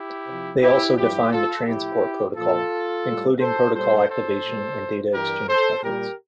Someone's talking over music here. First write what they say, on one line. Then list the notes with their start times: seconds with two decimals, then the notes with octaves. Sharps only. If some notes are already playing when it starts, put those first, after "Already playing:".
They also define the transport protocol, including protocol activation and data-exchange methods.
Already playing: E4 G4
0.27 C3 F3
0.62 E4 G4
0.96 G2 F3 E4 G4
1.31 F4 A4
1.65 A2 F3 E4 G4
2.35 A#2 F3 F4 A4
3.05 A2 G3
3.39 A4 C5
3.74 A#2 G3 A4 C5
4.09 A4 C5
4.44 A#2 G3
5.13 G2 E3 G3 G4 A#4
5.48 A4 C5
5.82 A#2 G3 G4 A#4